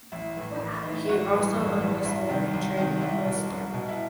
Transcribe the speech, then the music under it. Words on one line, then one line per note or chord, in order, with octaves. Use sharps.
He also owned a store and trading post nearby.
A1 E4
A2 E3
A1
A2 E3 D#4
E4
A1 F#4
G2 E3
A1
G2 E3
C2 E4
C3 D#3
C2
C3 D#3
C2 E4
B2
C2
B2
E4